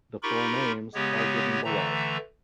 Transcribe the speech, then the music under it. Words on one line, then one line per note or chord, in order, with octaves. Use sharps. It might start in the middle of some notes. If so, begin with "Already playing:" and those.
The full names are given below.
D#4 F4 G4 A#4 B5 C#6
C#3 G#3 B3 G4 C#5
D3 E3 A3 A#5